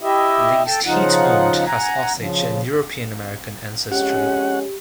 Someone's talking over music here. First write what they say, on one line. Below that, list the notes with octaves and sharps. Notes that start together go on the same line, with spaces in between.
Least Heat-Moon has Osage and European-American ancestry.
E4 G4 D#5 E5
A4 G5 A5
C#3 F3 D#4 F4 F#5
F#5 G#5 A#5
C#3 F3
F2 G#3 C#4 G4 F#5